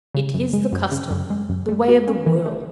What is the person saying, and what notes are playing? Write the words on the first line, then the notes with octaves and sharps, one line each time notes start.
It is the custom, the way of the world!
C#3
F#2
G#3
F#2
C#3
F#2
G#3
F#2
A3
F#4
C#4
E3
A3